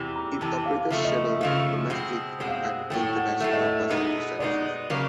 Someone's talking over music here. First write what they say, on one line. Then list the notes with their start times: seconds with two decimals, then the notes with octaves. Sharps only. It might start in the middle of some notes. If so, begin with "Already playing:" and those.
It operated scheduled, domestic and international passenger services.
Already playing: E2 C3 E3
0.15 A#5
0.41 E2 C3 E3 A5
0.66 F5
0.90 C#3 F3 A3 E5
1.05 D#5
1.16 E5
1.41 C#3 F3 A3 F5
1.90 B2 G#3 C4
2.40 B2 G#3 C4 F#5
2.48 F5
2.55 F#5
2.90 A2 F#3 A3 G5
3.15 F#5
3.40 A2 F#3 A3 E5
3.53 D#5
3.67 E5
3.90 B2 G#3 B3 D#4
4.39 B2 G#3 B3 D#4 D5
4.90 C#3 F#3 A#3